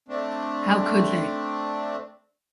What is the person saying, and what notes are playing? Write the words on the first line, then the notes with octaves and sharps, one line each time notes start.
How could they?
A3 C4 D4